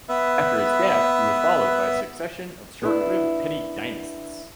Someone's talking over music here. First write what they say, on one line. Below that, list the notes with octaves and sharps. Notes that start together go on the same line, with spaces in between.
After his death, he was followed by a succession of short-lived petty dynasts.
B3 B4 E5
B3 D4 E4